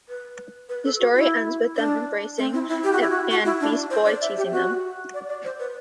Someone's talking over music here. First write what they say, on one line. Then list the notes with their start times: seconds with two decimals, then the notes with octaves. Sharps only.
The story ends with them embracing, and Beast Boy teasing them.
0.09 B4
0.69 B4
0.84 A4
0.99 F#4
1.16 E4
1.76 D4
2.38 C4
2.54 E4
2.68 E4
2.83 G4
2.93 F#4
3.01 E4
3.10 F#4
3.30 F#4
3.45 E4
3.60 D4
3.90 C5
4.06 D5
4.21 E5
4.37 G4
4.52 F#4
5.14 D5
5.29 D5
5.44 C5
5.59 B4